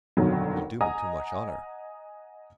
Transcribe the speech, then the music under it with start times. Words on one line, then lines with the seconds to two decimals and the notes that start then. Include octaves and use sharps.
"You do me too much honour."
0.17 G1 F2 B2 D3 D#3 F#3
0.81 D#5 F#5 G#5 A#5 D#6